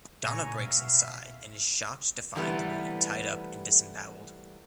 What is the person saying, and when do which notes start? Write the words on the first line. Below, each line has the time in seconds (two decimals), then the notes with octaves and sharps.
Donna breaks inside and is shocked to find the woman tied up and disembowelled.
0.24 A#2 C#3 G#5 A#5 C#6
0.59 B2 E5 F5
2.35 C3 E3 G3 A3 B3